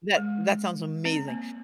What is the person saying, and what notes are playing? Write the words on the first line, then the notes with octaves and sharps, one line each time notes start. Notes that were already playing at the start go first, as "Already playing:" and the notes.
That that sounds amazing.
G#3
C4
A#3